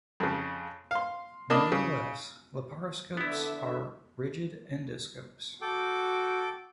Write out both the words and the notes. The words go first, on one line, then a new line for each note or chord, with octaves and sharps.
Nevertheless, laparoscopes are rigid endoscopes.
F2 C#3
F5 C6
A#3 D4 D#5 B5
C#3
D3 B3 E4 E5
F#4 A4 G5 D6